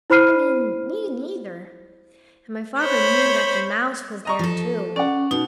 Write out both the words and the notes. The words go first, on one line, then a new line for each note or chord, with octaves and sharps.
"I mean, me neither," and my father knew that the mouse was there, too.
E4 C5 B5 F6 C7 D#7
C5 C#5 B5
D#5 A#5 C#6
F3 A4
C#4 D5 F#5
B2 D#4